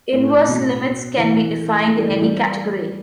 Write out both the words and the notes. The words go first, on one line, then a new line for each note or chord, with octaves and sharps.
Inverse limits can be defined in any category.
A2
B2
E3
A3
G3
E3
G3